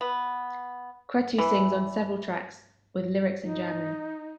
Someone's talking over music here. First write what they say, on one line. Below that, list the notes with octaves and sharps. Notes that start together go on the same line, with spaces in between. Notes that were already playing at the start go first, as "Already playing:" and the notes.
Cretu sings on several tracks, with lyrics in German.
B3
E3
D#4